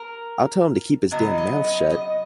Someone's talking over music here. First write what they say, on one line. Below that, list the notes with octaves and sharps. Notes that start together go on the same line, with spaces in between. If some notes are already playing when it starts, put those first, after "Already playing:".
I'll tell him to keep his damn mouth shut!
Already playing: A#4
C#3 F#3 B3 D#5
D#5
D#5
D#5